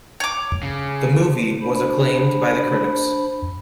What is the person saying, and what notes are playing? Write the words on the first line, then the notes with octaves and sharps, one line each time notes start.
The movie was acclaimed by the critics.
C#5 D6
C#3
D4 C5 B5